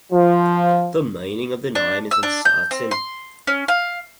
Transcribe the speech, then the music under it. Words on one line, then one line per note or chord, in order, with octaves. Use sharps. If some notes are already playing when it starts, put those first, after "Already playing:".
The meaning of the name is uncertain.
F3
D4
E6
D4
G6
C4
C6
C#4
F5